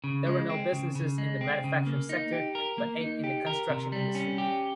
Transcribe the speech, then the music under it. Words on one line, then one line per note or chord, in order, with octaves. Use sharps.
There were no businesses in the manufacturing sector, but eight in the construction industry.
C#3
G#3
C4
C#3
C#3
G#3
C4
C#3
A#3
D#4
G4
A#4
A#3
D#4
G4
A#4
C3
G3
C#4
G4